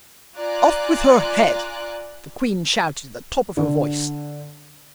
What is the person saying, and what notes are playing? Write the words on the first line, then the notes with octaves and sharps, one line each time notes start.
'Off with her head!' the Queen shouted at the top of her voice.
F4 D5 G#5 A#5 D6 F#6
D3